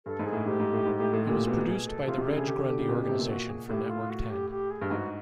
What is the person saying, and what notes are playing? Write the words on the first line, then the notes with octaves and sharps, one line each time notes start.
It was produced by the Reg Grundy Organisation for Network Ten.
G2 A4
G#2
G#4
A2
G#2 G4
G#2
A2
G#2
A2
A2
A#2 G4
B2 G4
G#4
A4
C3 F4
C3 G4
C#3 A4
D3 G#4
D3 G4
D3
D3
C#3
B2
B2
C3
A#2
F#4
G#4
A2 G4
F4
F#4
G4
G4
G#4
G2
G#2 F#4